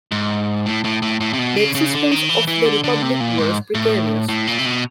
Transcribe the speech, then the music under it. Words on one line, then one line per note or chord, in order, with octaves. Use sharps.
The existence of the Republic was precarious.
G#2
A2
A2
A2
A2
C3
B2
C#3
C#3
D3
D#3
E3
E3
D3
D3
C3
A#2
G#2
A2
A2
A#2
C3
B2